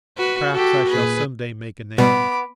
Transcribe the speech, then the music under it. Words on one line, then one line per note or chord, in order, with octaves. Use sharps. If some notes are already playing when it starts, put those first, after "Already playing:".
Perhaps I shall some day make a name.
F#4 B4
F#4 G4 A4
A#2 G#4 B4
B2 G3 B3 B5 D6